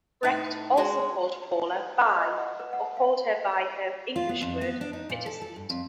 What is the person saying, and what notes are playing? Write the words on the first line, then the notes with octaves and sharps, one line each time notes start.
Brecht also called Paula "Bi" or called her by the English word "Bittersweet".
A2 D#4
G#3 F#4
D#5
F#5
B4
F#5
F5
F4
B3
F2
B3
D4
D#4
A#2
A4
A4
G2
F2